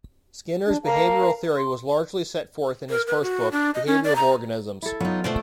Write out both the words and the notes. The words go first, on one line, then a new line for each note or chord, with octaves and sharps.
Skinner's behavioral theory was largely set forth in his first book, "Behavior of Organisms".
D4
A#4 F5 A5 A#5
C6
A#4
B4
F#4
D4
D#5
C#4
D5
A#5
E4 A4
F#3 B3 D#4 F4
B2 A3 C5 D5